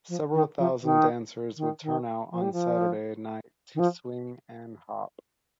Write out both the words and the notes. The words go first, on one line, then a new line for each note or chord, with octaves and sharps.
Several thousand dancers would turn out on Saturday night to swing and hop.
F3
D#3
F3
D#3
D#3
D#3
F3
G3
F3
D#3
F3